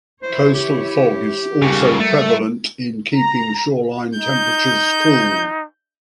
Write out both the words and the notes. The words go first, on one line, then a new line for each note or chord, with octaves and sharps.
Coastal fog is also prevalent in keeping shoreline temperatures cool.
E3 E4 C5 C#5
G4
D#2 C#3 F3 G3 A#4
A3
A#5
D#4 G6